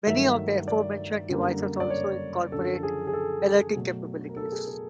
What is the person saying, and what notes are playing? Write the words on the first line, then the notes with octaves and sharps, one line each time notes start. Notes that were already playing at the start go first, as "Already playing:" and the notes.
Many of the aforementioned devices also incorporate alerting capabilities.
G2 D#3 F#3 A3 E5
D5
F#2 D3 G3 A#3
D5
C#5
F#2 D3 F3 A4
A4
G#4
G#4
A4
B2 F#3 A3
A#4
A4
G#4
A4